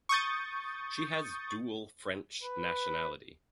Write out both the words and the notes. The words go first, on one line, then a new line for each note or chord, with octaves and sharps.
She has dual French nationality.
C#6 D#6 G6 A6
B4